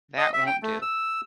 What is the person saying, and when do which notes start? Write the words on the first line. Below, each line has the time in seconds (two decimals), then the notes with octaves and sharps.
That won't do.
0.18 D#5
0.33 E5
0.47 G5
0.63 A3
0.82 E6